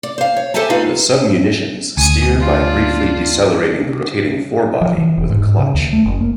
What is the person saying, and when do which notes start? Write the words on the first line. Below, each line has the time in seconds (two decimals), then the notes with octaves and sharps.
The sub-munitions steer by briefly decelerating the rotating fore-body with a clutch.
0.03 D5
0.18 C5 F5
0.36 C#5
0.54 G4 A4 C5 E5 G#5 A5
0.70 A3 B3 D#4 F4 B4 F5
1.97 D2 G#5 D#6
2.40 D4 F4
4.81 F3
4.98 E3
5.18 E1
5.30 G#2
5.41 G#2
5.59 C#3
5.74 D#2
5.93 A3
6.05 F#1
6.21 A#3